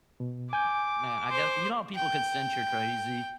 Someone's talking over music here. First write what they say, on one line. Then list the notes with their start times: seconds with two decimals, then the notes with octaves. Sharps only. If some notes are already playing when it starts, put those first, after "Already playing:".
ah man, I gue You know how people can sense you're crazy?
0.20 B2
0.53 G#5 D6 G6
1.31 C5
1.95 G5